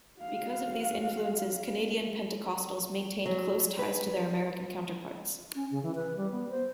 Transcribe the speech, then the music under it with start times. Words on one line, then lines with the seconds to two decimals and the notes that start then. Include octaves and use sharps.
Because of these influences, Canadian Pentecostals maintained close ties to their American counterparts.
0.20 F#4 F5
3.26 F#3
3.79 B4
5.55 C#4
5.71 C#3
5.83 E3
5.95 B4
6.17 G3
6.31 B3
6.50 C5